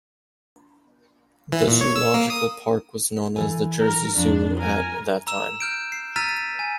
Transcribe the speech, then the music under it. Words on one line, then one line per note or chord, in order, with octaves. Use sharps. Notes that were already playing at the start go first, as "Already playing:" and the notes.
The zoological park was known as the "Jersey Zoo at" that time.
E3
A#2
C#5
E6
A#3
D#6
E3 A4 G#5
A#4
F2 D4
A#4 G#5
A#5 E6 E7
F6 G6 D7
C7
A#5 E6 F6 A6 B6 D#7
G#5 D#7